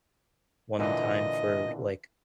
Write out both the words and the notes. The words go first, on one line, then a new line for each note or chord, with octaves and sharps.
one time for, like,
A#2 D3 E3 D#5